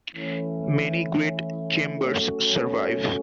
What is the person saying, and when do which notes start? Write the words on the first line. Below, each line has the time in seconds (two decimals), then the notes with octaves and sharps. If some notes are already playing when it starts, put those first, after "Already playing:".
Many great chambers survive.
0.14 E3 A3 C#4 E4
1.97 F#3 A3 C#4 F#4